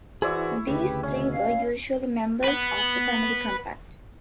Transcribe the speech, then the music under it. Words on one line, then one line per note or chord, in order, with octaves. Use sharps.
These three were usually members of the Family Compact.
E3 E4 F#4 G#4 C5 D5 E5 C#6
D2 C#3 G4 B4 G5
B2 C#4
F5
B4 F#5